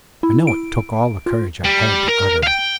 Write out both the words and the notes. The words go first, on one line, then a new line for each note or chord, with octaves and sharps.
I know it took all the courage I had to utter it.
E4
D7
F4
G3
A#4
F5 G5